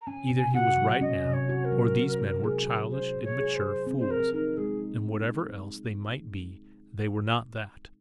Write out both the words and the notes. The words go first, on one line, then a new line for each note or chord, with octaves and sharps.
Either he was right now, or these men were childish, immature fools--and, whatever else they might be, they were not that!
A#5
C#4 G#5
C3
F#4 F#5
F#3
C#4 D#5
C3
C#5
F#4
A#4
F#3
C#4
A#2
G#4
F#3
C#4 C5
A#2
C#5
G#4
C5
F#3
C4
C5
F3 A#4
D#4 A#4
G#3 G#4